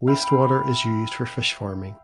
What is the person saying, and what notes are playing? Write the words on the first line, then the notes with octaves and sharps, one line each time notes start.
Waste water is used for fish farming.
E5 F5 G5 B5